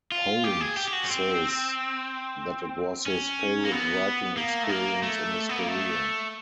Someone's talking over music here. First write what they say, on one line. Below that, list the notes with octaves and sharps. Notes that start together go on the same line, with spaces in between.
Holmes says that it was his favorite writing experience in his career.
F4
G4
G#4
G4
G4
F#4
C#4
C4
C#4
A#3
B3
A#3
A3
A#3
A3
B3
A#3
A3